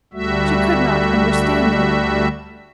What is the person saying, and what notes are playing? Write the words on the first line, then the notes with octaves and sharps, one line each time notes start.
She could not understand it.
D2 G3 A3 F#4 E5